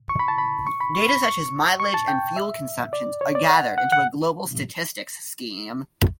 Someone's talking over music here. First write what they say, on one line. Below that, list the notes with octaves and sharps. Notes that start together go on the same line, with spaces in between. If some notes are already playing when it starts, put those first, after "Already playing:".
Data such as mileage and fuel consumption are gathered into a global statistics scheme.
C#6
B5
A5
B5
C#6
B5
C#6
B5
C#6
C#6
A5
G5
E5
D5
C#5
D5
F#5
F#5
F#5